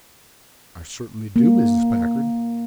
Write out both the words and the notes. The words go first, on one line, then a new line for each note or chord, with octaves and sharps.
"I certainly do, Mrs. Packard."
A#3